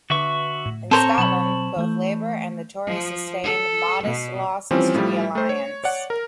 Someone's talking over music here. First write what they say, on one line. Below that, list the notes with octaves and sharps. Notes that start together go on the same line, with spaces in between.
In Scotland, both Labour and the Tories sustained modest losses to the Alliance.
D3 F#4 B4 E5 C#6 D6
A2
C4 A4 C5 C#5 A#5
B2 F#3 C4 A5 B5
E3 A3 G6
F3
A4
B2
E3 F3 G3 C4 C#4
A2 F3 G3
A3 C5
C#5
C#5 D5 F#5
A#4